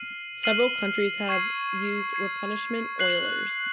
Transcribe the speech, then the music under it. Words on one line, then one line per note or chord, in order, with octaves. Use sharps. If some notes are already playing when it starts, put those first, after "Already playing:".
Several countries have used replenishment oilers.
Already playing: F6 C7 D#7 F#7
F6 C7 D#7 F#7
C#6 G#6 C7
C#6 G#6 C7
F#6 C7 F#7